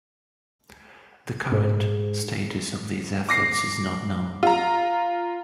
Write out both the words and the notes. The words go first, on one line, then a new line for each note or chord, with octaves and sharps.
The current status of these efforts is not known.
G#2
D6 A#6 C7
F4 A#5